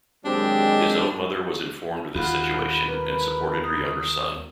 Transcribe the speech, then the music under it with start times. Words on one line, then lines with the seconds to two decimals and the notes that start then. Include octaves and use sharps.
His own mother was informed of this situation and supported her younger son.
0.25 D#2 F#3 G#3 C4 D4 G4
2.15 D#2 F4 F#5 B5
2.87 A#4 B4
3.63 D#6